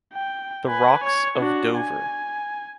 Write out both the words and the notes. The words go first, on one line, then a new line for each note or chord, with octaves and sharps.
The rocks of Dover.
G5
B4 G#5
C#5
D4 F#4
G#5